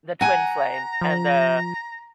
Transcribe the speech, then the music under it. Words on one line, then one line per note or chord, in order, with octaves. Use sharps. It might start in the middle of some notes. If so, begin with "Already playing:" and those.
the twin flame, and the
F#5 G#5 A#5
F3